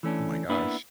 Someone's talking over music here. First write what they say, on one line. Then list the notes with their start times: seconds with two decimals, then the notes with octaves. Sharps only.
Oh my gosh.
0.03 E3 A3 C#4 D4
0.49 A#3 B3 D4 E4 B4